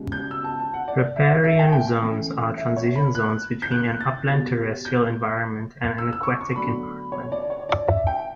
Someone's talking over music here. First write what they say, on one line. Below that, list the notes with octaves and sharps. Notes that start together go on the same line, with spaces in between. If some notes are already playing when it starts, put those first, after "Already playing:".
Riparian zones are transition zones between an upland terrestrial environment and an aquatic environment.
Already playing: C#2 B2 G3 C#4
G6
E6
A5
A5
F#5
D5
E5
E5
G5
G5
A2 E3 A3 C#4
E5
C#5
B5
F#6
G6
F#6
A6
B2 G3 B3 A6
G6
E6
E6
C#6
D6
C#6
D2 D3 F#3 B3 B5
C#5
D5
C#5
D5
E5
G5